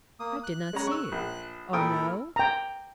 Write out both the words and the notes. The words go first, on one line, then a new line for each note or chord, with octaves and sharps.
I did not see you." "O no!
A#3 D#6
F#6
G#3 C#4 A#5
C#6 E6
A#1
A#2 E4 A4 A#4 G5 D#6
G5 A#5